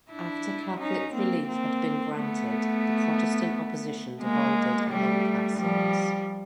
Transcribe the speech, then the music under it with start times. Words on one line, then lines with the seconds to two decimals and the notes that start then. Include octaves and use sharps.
After Catholic relief had been granted, the Protestant opposition divided along class lines.
0.12 D4 E4
0.79 C#4 D#4
1.14 A#3 C4
1.48 A#3 C4
2.16 A3 B3
4.21 G#3 A#3
4.90 G3 A3
5.58 F3 G3